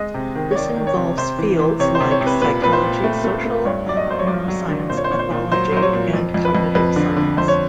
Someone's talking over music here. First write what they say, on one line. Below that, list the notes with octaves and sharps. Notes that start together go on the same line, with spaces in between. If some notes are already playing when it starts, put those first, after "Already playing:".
This involves fields like psychology, social neuroscience ethology, and cognitive science.
Already playing: G#3 D#5
C3
D#3
C#5
D#3 D5
D#3
C#5
C3
C3 C5
E3
E3
C3 C#5
C5
C3
C#5
C3
B4
A#2 B4
A#2 B4
C5
A#2
A3
A3
A3
G2 C#5
F#3 D5
D#5
F#3 C5
C#5
G2 D5
F#3
D3
A#2 C5
C#5
C5
A#2 C#5
C5
A#2
F#3 C5
F#3 C5
C#5
A#2
F2
F2
B4
F2
F2 B4
D3
D3
F2 C5
C#5